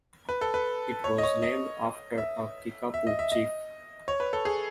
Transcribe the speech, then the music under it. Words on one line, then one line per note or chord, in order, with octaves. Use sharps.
It was named after a Kickapoo chief.
B4
A4
B4
C#5
D#5
C#5
D#5
E5
E5
D#5
E5
D#5
C#5
B4
A4
G#4